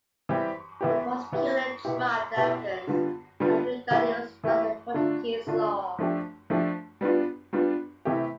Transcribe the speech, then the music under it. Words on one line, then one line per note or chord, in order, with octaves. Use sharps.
The prosecutor dropped the evidence, arguing that it was not in Portuguese law.
E3 G3 C4 G4
E3 B3 E4 G4
E3 B3 E4 G4
B2 B3 E4 G4
B2 B3 E4 G4
D3 G3 B3 F4
D3 G3 B3 F4
E3 A3 E4 G4
E3 A3 E4 G4
D3 A3 D4 F4
D3 A3 D4 F4
F3 A3 D4 G4
F3 A3 D4 G4
G3 B3 D4 F4
G3 B3 D4 F4
C3 E3 A3 E4 G4